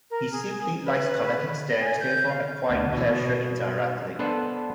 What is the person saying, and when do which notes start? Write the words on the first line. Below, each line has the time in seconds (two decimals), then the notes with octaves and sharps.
He simply likes collecting stamps, therefore acquiring pleasure indirectly.
0.11 A#4
0.32 G#4
0.85 B4
1.81 G#5
2.00 G6
2.29 F5
2.70 D2 B3 D4
2.93 B2 E3
3.09 B2
4.19 B3 D4 A4 B4 C5